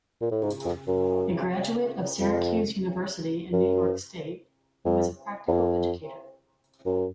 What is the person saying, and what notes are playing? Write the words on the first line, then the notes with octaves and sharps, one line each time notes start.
A graduate of Syracuse University in New York state, he was a practical educator.
A#2
A2
G#2
F2
F#2
F2
F#2
F2
E2
F2
F#2